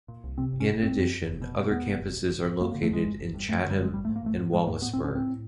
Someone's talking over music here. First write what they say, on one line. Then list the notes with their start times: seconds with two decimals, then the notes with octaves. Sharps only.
In addition, other campuses are located in Chatham and Wallaceburg.
0.08 A#2
0.24 C2
0.38 C3 C4
0.52 G1
0.60 C#4
0.68 G1
0.82 F2 C4
0.98 F2
1.13 F2
1.27 F1
1.42 B2
1.57 B2
1.71 E2 B3
1.86 F1
2.00 F1
2.16 G#1
2.30 G#1
2.45 G#1
2.60 G#1 A#3
2.72 A#3
2.74 D3
2.83 A3
2.90 G#1 G#3
3.05 G1
3.19 G1
3.34 G2
3.48 G2 A3
3.64 D3
3.71 G3
3.79 G1 G#3
3.93 A1 G3
4.05 A3
4.09 G#2
4.16 A#3
4.23 A1 A3
4.37 G#2
4.53 G#2 G#3
4.67 G#2 A#3
4.82 A2 B3
4.93 C4
4.97 A2
5.04 C#4
5.11 A2 C4
5.27 A2